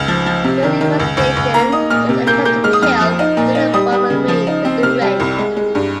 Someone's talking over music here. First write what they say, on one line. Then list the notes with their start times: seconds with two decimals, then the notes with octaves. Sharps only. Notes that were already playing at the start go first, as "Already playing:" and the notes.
During the investigation there's an attempt to kill Jeannie Bonnamy with a rake.
Already playing: C#2 F6
0.08 F3
0.26 F3
0.44 C3
0.63 D#3
0.81 D#3
1.00 C#2
1.17 C#2
1.36 C#2
1.54 A#3 A#5
1.72 D#4 D#6
1.90 A#2 F6
2.09 C3
2.27 A#3 G6
2.45 A#3 G6
2.64 G#3 F6
2.73 D#6
2.82 F2 F6
3.01 F3
3.19 D#4
3.37 A#2
3.55 D#4
3.74 G3 D#6
3.92 G3
4.10 C#3
4.28 F3
4.47 D#4
4.65 C4
4.83 C3 F6
5.02 G3
5.20 C2
5.38 G#3
5.57 G#3
5.75 G2